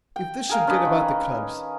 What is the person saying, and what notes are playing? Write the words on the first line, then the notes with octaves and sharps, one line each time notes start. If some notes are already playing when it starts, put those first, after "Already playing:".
If this should get about the clubs!
G5
G#4 A#4 F5
C#4 D4 B4 D#5
D#3